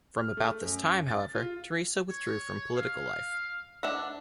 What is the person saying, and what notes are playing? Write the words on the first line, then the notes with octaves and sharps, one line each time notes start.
From about this time, however, Thrasea withdrew from political life.
F6
A3
F#2
A6
F4
C#5
F5
D4 E5 F#5